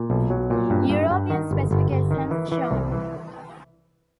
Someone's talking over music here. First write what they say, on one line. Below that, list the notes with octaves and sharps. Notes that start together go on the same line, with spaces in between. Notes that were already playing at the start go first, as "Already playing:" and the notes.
European specifications shown.
Already playing: A#2
B1
F#3
A#2
G2
G2
G2
D#3
G1
G1
G1
D#3
E3
E3
C2
E3